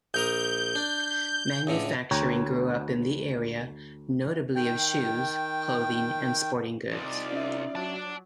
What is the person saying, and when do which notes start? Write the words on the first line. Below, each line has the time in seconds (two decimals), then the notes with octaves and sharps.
Manufacturing grew up in the area, notably of shoes, clothing, and sporting goods.
0.14 A#1 A#4 D#6 G6
0.75 D4
1.67 C#2 A2 D3
2.11 D2 C#5 G5 A#5
4.56 D#3 G5
6.92 C2 D#4 F4 D5
7.33 C#4 E5
7.75 F#3 D5 A5